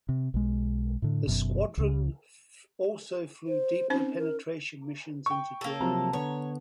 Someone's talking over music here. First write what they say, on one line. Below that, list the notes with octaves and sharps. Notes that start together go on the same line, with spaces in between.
The squadron also flew deeper penetration missions into Germany.
C3
B1 G#3
A2 D3
F#1 F#2 B2
C#2 C#3
C5
C4 C#4 D#4 C5
A#4
G5 C#6
A#3 A4
C3 F3 F#3 A#5
D3 B3 C#5